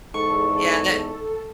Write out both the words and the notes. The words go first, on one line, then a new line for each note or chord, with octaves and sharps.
Yeah, and that
E2 G#2 A4 C#6